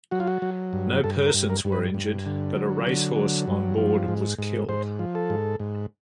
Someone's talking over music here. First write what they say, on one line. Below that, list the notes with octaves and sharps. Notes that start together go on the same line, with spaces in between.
No persons were injured, but a racehorse on board was killed.
F#3 F#4
F4
F#4
F#3
G2
G2 A4
A#4
G2
A#4
G2
B4
G2
D3
F#3
D3
F#3
G2
F3
G#2
G#2
G#2 C5
F3
A4
G#2
G#2